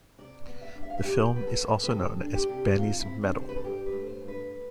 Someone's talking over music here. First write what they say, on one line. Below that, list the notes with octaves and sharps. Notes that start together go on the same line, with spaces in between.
The film is also known as "Benny's Medal".
C3 D5
B3
E5
D4
E5
F5
E5
A2 G4
B3 B4
A4
A2
B4
C3 A4
D4
G4
C3
C3 F4
E4
C4
D4
C3
C5
B4
A4
G2 G4
B4
A3
C5
G2
B4